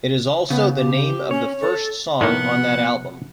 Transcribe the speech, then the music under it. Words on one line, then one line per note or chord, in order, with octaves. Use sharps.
It is also the name of the first song on that album.
C#3 B3
G4
C#4 C#5
A4
A2 C3 D#3 F3 A#3 B3 F#5